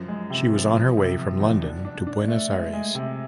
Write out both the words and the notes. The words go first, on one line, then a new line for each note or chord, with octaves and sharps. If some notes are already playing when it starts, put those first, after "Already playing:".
She was on her way from London to Buenos Aires.
Already playing: F#2 F3
G#3
C3
F3
F3
C3
F3
E2
D4
D4
D4
A3
G#3
G#3
C3